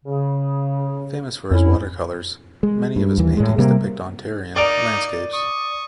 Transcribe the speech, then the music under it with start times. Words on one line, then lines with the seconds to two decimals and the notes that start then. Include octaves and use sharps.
Famous for his watercolours, many of his paintings depict Ontarian landscapes.
0.05 C#3
1.51 F2 C#4 E4
2.63 G#3
2.96 G2
3.18 D#2 E3
3.37 A2 G#3
3.58 C3 G3 A#3
4.56 A#3 D#4 D5 D7 F7
5.34 C#6 D#6